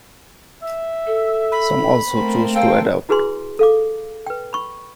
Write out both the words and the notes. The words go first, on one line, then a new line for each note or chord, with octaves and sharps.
Some also choose to adopt.
E5
A4
B5
A3 A#3 C4
A4 C5 F5 G5
E4 F#4 G#4 B4 G#5 C6
A4 F5 D6
B4 G5
B5 C#6